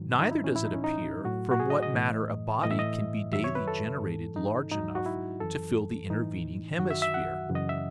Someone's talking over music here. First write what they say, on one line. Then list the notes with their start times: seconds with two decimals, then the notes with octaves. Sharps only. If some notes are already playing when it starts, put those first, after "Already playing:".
Neither does it appear from what matter a body can be daily generated large enough to fill the intervening hemisphere.
Already playing: G#2 D#3 F#3
0.20 D#4
0.31 E4
0.44 C#4
0.55 A2 E3 E4
0.65 D#4
0.74 C#4
0.84 D#4
1.24 A2 F#3 F#4
1.51 F#4
1.60 G#4
1.70 D#5
1.83 D#5
1.94 A2 E3
2.63 A2 E3 D#5
2.71 E5
2.79 D#5
3.33 F#2 D#3 F#3 E5
3.44 C#5
3.55 B4
3.68 A4
4.02 G#2 E3
4.36 D#4
4.72 G#2 F#3 D#4
4.95 F#4
5.06 E4
5.40 F#2 E3 A4
6.10 A2 E3 D#4
6.79 F#2 D#3 F#3 F#4
6.91 E5
7.02 E5
7.14 F#5
7.49 F#2 C#3 E3
7.55 D#5
7.69 E5